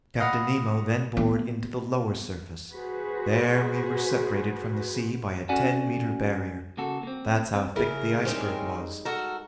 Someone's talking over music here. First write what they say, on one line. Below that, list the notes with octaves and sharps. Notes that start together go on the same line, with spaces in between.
Captain Nemo then bored into the lower surface. There we were separated from the sea by a ten-meter barrier. That's how thick the iceberg was.
D#5 F5 F#5 B5
B3
F#4 G#4 B4 C5
C#4 F#4 A4 D5 F#5 G#5
C#3 A#3 F#4 A4
A#3 C4
C4
C#3 E4 A#4
G3 G#3 C4 C#4 D#4
F#4 A4 A#4